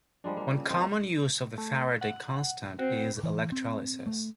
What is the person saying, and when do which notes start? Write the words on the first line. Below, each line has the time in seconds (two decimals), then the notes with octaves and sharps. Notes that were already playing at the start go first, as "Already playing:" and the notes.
One common use of the Faraday constant is electrolysis.
0.24 F3 G3 G#3 D4
0.37 G3 A#3
0.58 C#3
0.70 F3 G#3 A#3 C4
1.58 A3
2.01 F#5
2.79 C4 F#4
3.24 E3
3.52 C4
4.07 A3